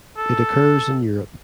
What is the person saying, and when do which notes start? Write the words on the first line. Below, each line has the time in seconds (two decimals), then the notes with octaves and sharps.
It occurs in Europe.
0.17 A4